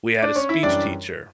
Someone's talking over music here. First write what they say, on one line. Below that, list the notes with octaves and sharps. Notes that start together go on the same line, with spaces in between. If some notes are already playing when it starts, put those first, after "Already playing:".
we had a speech teacher,
D4 D5
C#4 C#5
E4 E5
F#2 E3 G3 D4 D5